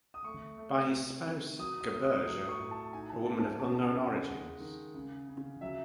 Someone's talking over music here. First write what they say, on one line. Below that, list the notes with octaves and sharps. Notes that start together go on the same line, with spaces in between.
By his spouse, Gerberge, a woman of unknown origins.
D#6
A3 C#6
A3
C3
D#3
F#3 D#6
D#6
A3
D#6
F#3 D#6
D#6
C#6
A2
A5
D#4 G#5
A5
A3 A5
A5
G#5
C#3 A5
A5
G#5
C#3
F#5
G#3
D#3
C#3
C#3
F#3 E5